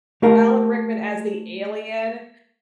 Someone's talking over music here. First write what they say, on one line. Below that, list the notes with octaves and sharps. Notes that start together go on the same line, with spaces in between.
Alan Rickman as the alien,
A3 G4 A#4 F5